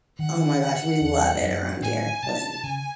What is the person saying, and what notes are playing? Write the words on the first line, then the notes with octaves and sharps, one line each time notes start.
Oh my gosh, we love it around here. Like
D#3 F#5
E2
F#2
A2 G#5
C3 A5
C#3 G#5